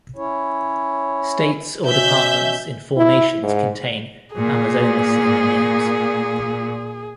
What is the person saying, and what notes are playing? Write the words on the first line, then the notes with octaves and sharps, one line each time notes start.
States or departments in four nations contain "Amazonas" in their names.
C#4 E4 C#5
B2 C#4 E5 G6
E4
G#2
A#2 G#4